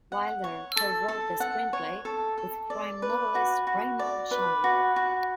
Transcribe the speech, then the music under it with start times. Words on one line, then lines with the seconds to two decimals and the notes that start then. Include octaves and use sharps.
Wilder co-wrote the screenplay with crime novelist Raymond Chandler.
0.12 F#5
0.44 C#5
0.76 A4
1.08 A4
1.40 F#5
1.73 C#5
2.05 A4
2.38 A4
2.70 D5
3.02 B4
3.35 F#4
3.67 F#4
3.99 D5
4.31 B4
4.64 F#4
4.96 F#4